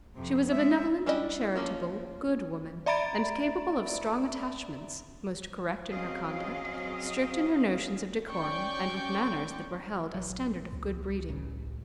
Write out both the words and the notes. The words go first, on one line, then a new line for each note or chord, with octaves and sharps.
She was a benevolent, charitable, good woman, and capable of strong attachments, most correct in her conduct, strict in her notions of decorum, and with manners that were held a standard of good-breeding.
F2 C3
G#3 E5
G3 C#4 D4 E4 D#5
F3 A#3 C#4 F4
D5 E5 A#5 B5 A6 D7
F#3 C4 C#4 G#4 D#5 F5
C#4 D5 G5 C#6 D6 G6
A#1 F#3
C#2
A1 C#3